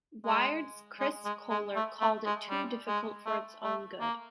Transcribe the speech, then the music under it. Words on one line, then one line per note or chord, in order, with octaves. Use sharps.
Wired's Chris Kohler called it too difficult for its own good.
G#3
G#3
G#3
G#3
A3
A3
G#3
G3
G#3
A3
A3
A#3